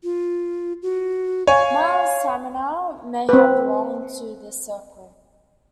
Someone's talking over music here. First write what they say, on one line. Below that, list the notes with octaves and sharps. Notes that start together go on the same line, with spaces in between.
Miles Symner may have belonged to this circle.
F4
F#4
C#5 F5 G#5
C4 B4